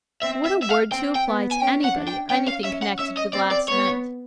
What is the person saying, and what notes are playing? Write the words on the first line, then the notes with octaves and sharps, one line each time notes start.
"What a word to apply to anybody or anything connected with last night!"
C4 E5
E5
E5
F5
C4 G5
G5
B3
G#5
C#4 G5
F#5
D4
G5
C#4 G5
F5
C#4 E5
F#5
C#4 E5
D#5
C4 D5
D5
B3 C#5